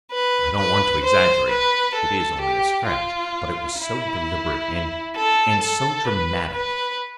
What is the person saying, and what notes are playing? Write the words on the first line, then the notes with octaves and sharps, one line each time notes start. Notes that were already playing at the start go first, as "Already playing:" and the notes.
I don't want to exaggerate; it is only a scratch--but it was so deliberate, and--and so dramatic.
B4
B4
C5
B4
A4
G4
F4
E4
A4
A4
B4
B4